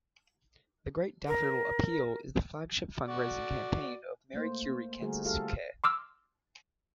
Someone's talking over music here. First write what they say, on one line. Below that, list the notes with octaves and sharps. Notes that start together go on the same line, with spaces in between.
The Great Daffodil Appeal is the flagship fundraising campaign of Marie Curie Cancer Care.
A#4
F#4 D5
A3 A#3 C5
D3 G3 A3 F#4 G#4 A#4
G#3 F4 G4 A4 F5
C6 D6 E6 F6